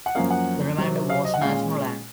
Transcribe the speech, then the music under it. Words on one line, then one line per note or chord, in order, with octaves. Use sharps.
The remainder was national land.
F#5
F#2 F3 A#3 C#4 F5
F#5
C3 F#3 C4
F5
D#5
F#5
A#2 G#3 C#4 F5